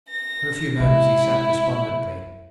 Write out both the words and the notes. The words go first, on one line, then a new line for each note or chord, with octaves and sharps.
For a few moments he sat despondently.
A#6
C3 G#3 E4